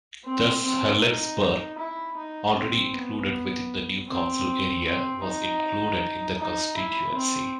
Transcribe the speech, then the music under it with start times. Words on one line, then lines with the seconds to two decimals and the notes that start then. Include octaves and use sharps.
Thus Helensburgh, already included within the new council area, was included in the constituency.
0.25 C4
0.63 C4
1.02 D#4
1.78 E4
2.17 D#4
2.55 C4
2.93 B3
4.08 C4
4.84 C4
5.23 D#4
6.38 D#4
6.76 E4
7.14 C4